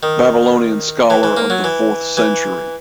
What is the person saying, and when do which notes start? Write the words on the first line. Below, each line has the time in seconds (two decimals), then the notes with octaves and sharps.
Babylonian scholar of the fourth century.
0.03 D#3
1.10 E3
1.23 E3
1.37 A#3
1.50 F#3
1.64 E3
2.17 E3